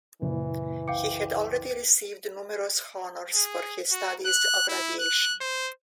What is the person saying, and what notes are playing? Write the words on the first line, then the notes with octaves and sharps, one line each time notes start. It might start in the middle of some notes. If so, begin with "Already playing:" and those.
He had already received numerous honors for his studies of radiation.
F#1 A#2 E3
C2 F5 G5 D6 C#7
G#4
F#4
F#6
E4
F#6
C5